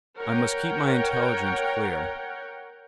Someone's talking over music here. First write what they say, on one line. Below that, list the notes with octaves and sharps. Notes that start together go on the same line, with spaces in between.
I must keep my intelligence clear.
A#4 C#5 F#5 G5